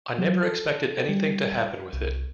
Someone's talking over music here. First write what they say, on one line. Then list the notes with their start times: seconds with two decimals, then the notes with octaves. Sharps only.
I never expected anything to happen with it.
0.19 F#3
0.43 A4
1.09 G3
1.93 C2